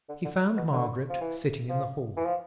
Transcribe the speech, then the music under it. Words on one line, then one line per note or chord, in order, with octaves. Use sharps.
He found Margaret sitting in the hall.
D3
D3
B2
D3
F3
E3
F3
E3
F3